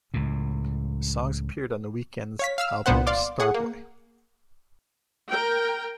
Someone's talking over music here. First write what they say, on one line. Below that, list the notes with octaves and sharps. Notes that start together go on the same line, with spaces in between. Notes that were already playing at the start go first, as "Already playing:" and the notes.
The songs appeared on The Weeknd's album "Starboy".
C#2 A2
C#5 F5 B6
F5 E6 F6
C2 G2 A#2 B3 C5 F#5
D5 F5 C6 D6
G#4 F#5
A#3
A#4 G5